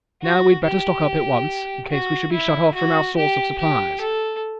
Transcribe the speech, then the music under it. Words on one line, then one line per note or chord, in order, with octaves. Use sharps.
And now we’d better stock up at once, in case we should be shut off from our source of supplies.
F#4
G4
F#4
E4
F#4
G4
G4
A4